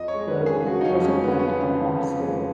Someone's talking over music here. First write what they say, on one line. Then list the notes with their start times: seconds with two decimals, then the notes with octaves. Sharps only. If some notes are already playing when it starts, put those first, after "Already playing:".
Loeb was a friend of Mostel.
Already playing: F2 D#5
0.08 C#5
0.14 G#3
0.28 B4
0.41 C#3
0.46 G#4
0.66 F3 F#4
0.81 D#4
0.85 C#4
0.92 F2
1.05 C#4
1.18 G#3
1.24 B3
1.32 C#4
1.39 C#3 B3
1.68 F3
1.95 F2
2.20 G#3